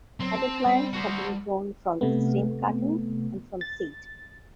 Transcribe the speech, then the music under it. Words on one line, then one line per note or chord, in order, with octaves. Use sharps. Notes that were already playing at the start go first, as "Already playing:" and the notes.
Ideal plants have been grown from stem cuttings and from seed.
F#3 C4
A5
G3
F#4 C5
C3 A3 B3
A6